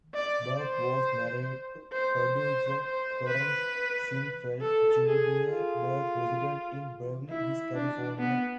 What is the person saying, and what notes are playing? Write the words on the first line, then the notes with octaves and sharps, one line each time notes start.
Burke was married to producer Florenz Ziegfeld, Junior Burke resided in Beverly Hills, California.
D5
C5
C5
C5
C5
B4
A4
G#4
F4
E4
D4
B3